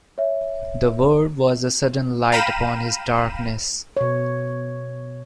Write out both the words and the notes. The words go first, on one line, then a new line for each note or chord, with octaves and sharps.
The word was a sudden light upon his darkness.
C#5 E5
F5 G5 A#5 B5 D#7 E7
B2 C#5